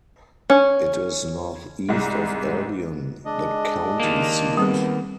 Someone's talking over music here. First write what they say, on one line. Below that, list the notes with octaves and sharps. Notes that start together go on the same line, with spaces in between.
It is northeast of Albion, the county seat.
C#4
C2 G#2
G#3 D4 D#5
D#3 A#3
G3 B3 C4 G#4